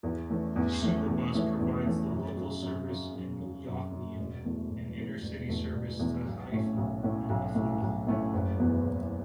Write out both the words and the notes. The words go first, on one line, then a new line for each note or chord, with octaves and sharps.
Superbus provides the local service in Yokneam and intercity service to Haifa and Afula.
E2
E3 A3 C#4
E2
E3 A3 C#4
E2
E3 A3 C#4
E2
E3 A3 C#4
F#2
C#3 F#3
F#2
C#3 F#3
F#2
C#3 F#3
F#2
C#3 F#3
E1
E2 B2 A3
E1
E2 B2 A3
E1
E2 B2 A3
E1
E2 B2 A3
B1
A2 A3 C#4
B1
A2 A3 C#4
B1
A2 A3 C#4
B1
A2 A3 C#4
F#1
E2 B2 B3
F#1